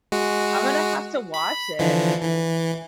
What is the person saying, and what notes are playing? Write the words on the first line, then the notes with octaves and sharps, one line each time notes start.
I'm gonna have to watch it.
G#3 F#4
B5
D3 E3 F3
E3